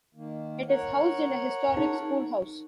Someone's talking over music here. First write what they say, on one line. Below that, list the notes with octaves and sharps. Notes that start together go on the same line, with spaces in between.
It is housed in a historic schoolhouse.
D#3 A#3
A#4 C#5 F#5
D#4